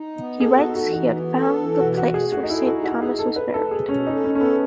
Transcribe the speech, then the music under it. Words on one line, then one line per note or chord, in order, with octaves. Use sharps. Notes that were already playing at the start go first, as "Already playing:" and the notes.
He writes he had found the place where Saint Thomas was buried.
Already playing: D#4
B3
G#4 A4
F#4
D#4
F#4
E3
F#4
B3
A4
E3
B2 F#4
F#4
B2
G#4
A3
F#4
D#4
E4 A4
F#4
D#4
F#4
D#4
G#4
D#4 A4
B4
D#4
A4
B2
G#4
B2 C#4
D#4
A4
C#4
C#4 A4
B3